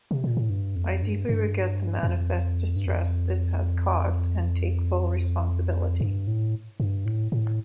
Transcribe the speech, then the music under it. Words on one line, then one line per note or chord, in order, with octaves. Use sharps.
I deeply regret the manifest distress this has caused and take full responsibility.
C3
A#2
A2
G2
F2
G2
G2
G2
F2
G2
F2
G2
A2
G2
A2
A2